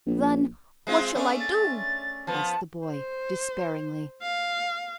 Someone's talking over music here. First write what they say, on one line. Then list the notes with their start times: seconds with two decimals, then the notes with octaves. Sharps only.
"Then what shall I do?" asked the boy, despairingly.
0.07 A#1
0.87 G#3 C4 F4
1.15 A3 C#4 D4
1.40 A6
2.27 F3 B3 A5
2.86 C5
4.23 F5